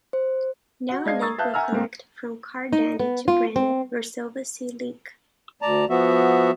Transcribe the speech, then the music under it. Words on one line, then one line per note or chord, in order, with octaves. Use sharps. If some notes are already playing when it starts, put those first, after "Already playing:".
Now a link will connect from Khar Danda to Bandra - Versova Sea Link.
C5
F#4 F#5
G#3 D4 D#5 F5 G#6 C7
A#5 C#6 D#6 E6 A6
B4 E5 F5 A5 F#6 G6
E5 F#5 G#5 A#5 E6 F6
G#2 A#3 C4
D#4
B3
F4
C4
D2 D5 A5 A#5
F3 B3 F#4 E5